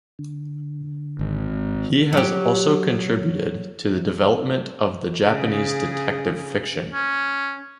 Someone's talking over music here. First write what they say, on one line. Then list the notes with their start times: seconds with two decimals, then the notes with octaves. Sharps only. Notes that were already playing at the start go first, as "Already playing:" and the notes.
He has also contributed to the development of the Japanese detective fiction.
0.19 D3
1.19 G#1
1.48 G#2
2.13 F#3 G4
5.26 C#3 G#4
6.93 C#4